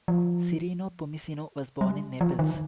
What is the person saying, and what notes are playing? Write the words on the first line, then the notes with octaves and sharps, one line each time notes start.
Cirino Pomicino was born in Naples.
F3
G3
F3
D#3